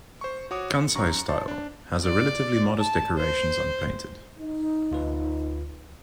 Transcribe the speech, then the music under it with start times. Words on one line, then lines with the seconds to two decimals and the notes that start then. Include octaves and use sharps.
Kansai style has a relatively modest decorations unpainted.
0.21 C5 C#6
0.51 F#4 C#5 D6 D#6
0.75 C#7
0.96 F#2 A#5 C#6
1.28 C5 A5 A6
1.48 D4
2.05 D5
2.78 A5
3.18 C5
4.39 D#4
4.91 D2 F4 B4